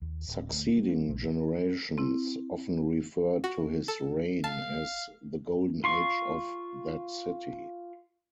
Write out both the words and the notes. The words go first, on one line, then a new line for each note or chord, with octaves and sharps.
Succeeding generations often referred to his reign as the golden age of that city.
D#2
D1
D2
G3
A#1
C4 E4
F#4
A4
F5 A5
F4 C6 C#6